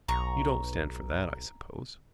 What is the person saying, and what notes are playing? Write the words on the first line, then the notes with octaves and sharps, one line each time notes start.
You don't stand for that, I suppose?
B1 A#5 C#6